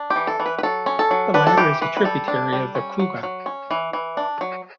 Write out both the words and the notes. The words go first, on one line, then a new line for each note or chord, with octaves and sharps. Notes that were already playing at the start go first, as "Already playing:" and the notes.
The latter is a tributary of the Kouga.
Already playing: D4
G4
E3
A4
E3
B4
B4
F#3 A4
C#4
A4
F#3
D4 B4
A4
E3 G4
E3 B4
B4
G3 A4
D4
G3
C#4
F#3
F#3
C#4
E3
E3
D4
F#3